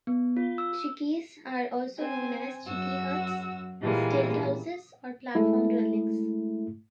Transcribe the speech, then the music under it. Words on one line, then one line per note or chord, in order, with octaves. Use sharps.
Chickees are also known as chickee huts, stilt houses, or platform dwellings.
B3
F4
E6
C4 G#5
F#2 F#4 E6
A#2 E3 G3 G#3 A#3
G#3 A3 E4